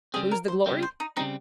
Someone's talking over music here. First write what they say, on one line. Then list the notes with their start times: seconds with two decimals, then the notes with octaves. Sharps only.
Whose the glory?
0.14 C#3 G3 C4 G#4
0.31 A#4
0.48 C5
0.66 C#3 G3 C4
0.83 C5
1.00 D#4
1.17 C#3 G3 C4 D#4